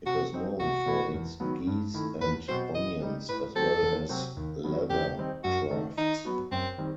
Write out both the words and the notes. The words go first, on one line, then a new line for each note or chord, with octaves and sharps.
It was known for its geese and onions as well as leather crafts.
C3 F#4
F#3 C4 D#4
C2 F#4
B2 A3 E4 A4
E2
D#3 F#3 B3
G2
D#3 A3 E4
E2 B4
B2 F#3 C4 F#4 C5
E3 D#5
G3 D#4
A2 B4
F#3 C4 A4
E2
C3 F#3 C4 F#4
D#2
D#3 F#3 B3
E2 G4
D#3 G3 C4 D#4
F#2 F#4
D#3 A3 D#4 A4
D#3 D#4
F#3 B3 F#4
F#2 C4
D#3 G3 C4